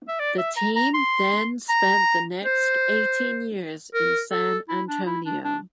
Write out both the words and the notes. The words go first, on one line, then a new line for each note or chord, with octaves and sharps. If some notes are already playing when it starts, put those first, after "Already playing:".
The team then spent the next eighteen years in San Antonio.
E5
D5
E5
A#5
A#5
C6
A#5
C5
A#4
A4
E4
D4
E4
D4
D4